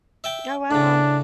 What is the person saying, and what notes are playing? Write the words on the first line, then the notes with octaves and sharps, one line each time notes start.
Oh, wow.
E5 G5 A5
A2 C#3 D4